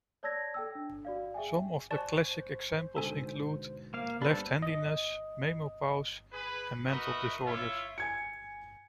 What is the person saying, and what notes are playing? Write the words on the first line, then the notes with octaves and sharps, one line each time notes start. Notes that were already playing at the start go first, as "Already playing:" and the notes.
Some of the classic examples include: left handedness, menopause, and mental disorders.
C#5 D5 A5 E6 G#6 A#6
A4 G5 E6
D4
F#4 D5 F5
G#4 E5 G5 G#5
C5 D5 G#5 A5 C#6 F#6
G#2 B2 D3 A4 G#5
A#3 F5
G3 B3 D4 A4 C5 B5
D#5
G#4 B4
D#4 F#4 A#4 B4 D#5 E5
E4 F4 C#5 E5
G#5 G#6 C#7